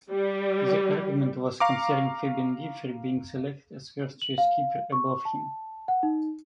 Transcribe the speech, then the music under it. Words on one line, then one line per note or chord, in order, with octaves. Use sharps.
The argument was concerning Fabian Giefer being selected as first choice keeper above him.
G3
F5 A#5 C#6 D6
F#7
F5
C#6
A5
F#5
D#4